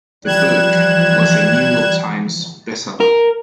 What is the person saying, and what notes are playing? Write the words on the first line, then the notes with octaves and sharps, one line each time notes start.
The book was a "New York Times" bestseller.
E3 F3 G3 F#6 G#6 E7
A#4